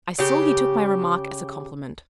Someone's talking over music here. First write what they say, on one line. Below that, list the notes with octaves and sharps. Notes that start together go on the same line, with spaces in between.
I saw he took my remark as a compliment.
C#3 G4